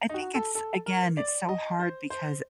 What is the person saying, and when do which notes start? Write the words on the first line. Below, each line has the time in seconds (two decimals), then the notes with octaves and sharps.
I think it's again, it's so hard because
0.09 D#4
0.14 F#4
0.34 A4
0.55 A4
0.86 A#4
1.17 D5
1.49 D#5
1.80 C5
2.10 C5